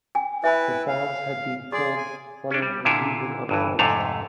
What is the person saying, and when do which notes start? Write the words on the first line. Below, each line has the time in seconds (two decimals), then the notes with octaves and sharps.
The farms had been formed following removal of forest.
0.15 G5 G#5
0.44 E4 B4 E5 G#5 B5
0.88 F5
1.72 G#4 D5 C6
1.97 G#5
2.51 C#4 D4
2.62 G3
2.85 A#2 D3 E4 F4
3.49 G1 G2 E3
3.79 F2 G#2 C3 A3 C#5 F5